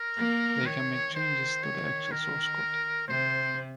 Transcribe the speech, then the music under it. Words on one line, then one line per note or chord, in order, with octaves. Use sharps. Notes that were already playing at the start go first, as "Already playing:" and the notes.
They can make changes to the actual source code.
Already playing: A#4
A#3
D#3 C#5
D#3 C5
C#5
A#4
C3 C5